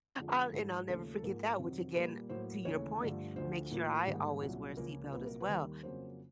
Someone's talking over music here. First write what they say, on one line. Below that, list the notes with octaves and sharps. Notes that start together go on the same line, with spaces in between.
I'll and I'll never forget that, which again, to your point, make sure I always wear a seat belt, as well.
F2 D3 F3 G#3
G#2 E3 G#3 A4
D#2 C#3 F3 A3 A4
A4
G#2 F3 A#3 A#4
F2 C3 D#3 F#3
A#2 G3 A#3 B4
A2 F#3 A#3 C5
D#2 C#3 E3 A3 C#5
G2 D3 F3 A3
D2 D3 F3 C5
A2 F3 A#3
G#2 D#3 G3 A#3
C2 A#2 F#3
C#2 C#3 F3 A#3 A#4
C2 A#2 F#3 A#3 B4
A#4
B4
D#2 D#3 G3 A#3
F2 C#3 F#3 A#3 C5